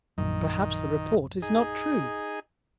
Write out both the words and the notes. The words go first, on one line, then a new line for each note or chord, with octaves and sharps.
Perhaps the report is not true?
A#1 F#2 D#3
D#4 G#4